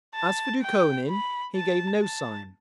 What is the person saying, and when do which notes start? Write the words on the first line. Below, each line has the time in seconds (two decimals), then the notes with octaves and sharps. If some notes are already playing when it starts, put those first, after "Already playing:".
As for Dukhonin, he gave no sign.
0.15 A5
0.62 G5
1.09 B5
1.55 A5
2.03 A5